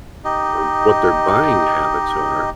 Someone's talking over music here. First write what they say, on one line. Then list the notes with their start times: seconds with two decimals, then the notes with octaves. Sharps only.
um, what their buying habits are,
0.25 D#4 G4 D#5